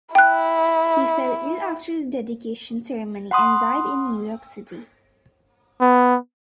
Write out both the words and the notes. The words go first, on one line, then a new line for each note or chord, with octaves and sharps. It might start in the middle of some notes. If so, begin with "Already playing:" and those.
He fell ill after the dedication ceremony and died in New York City.
E4 G5 F#6
F#5 B5 C6 D#6
B3